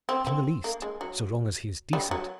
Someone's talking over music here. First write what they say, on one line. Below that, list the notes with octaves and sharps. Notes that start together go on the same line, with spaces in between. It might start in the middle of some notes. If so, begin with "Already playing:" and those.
"Not in the least, so long as he is decent."
C4
C4
A#3
G#3
F#3
G3
F#3